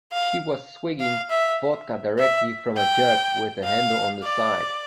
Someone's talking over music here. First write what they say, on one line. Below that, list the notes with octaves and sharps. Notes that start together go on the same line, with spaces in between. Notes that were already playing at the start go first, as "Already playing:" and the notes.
She was swigging vodka directly from a jug with a handle on the side.
F5
F5
E5
E5
G5
F5
D5